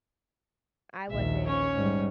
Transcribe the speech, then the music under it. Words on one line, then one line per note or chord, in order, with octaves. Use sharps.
I wasn't
A#1 D#2 E5
C#4 C#5
G#2 G3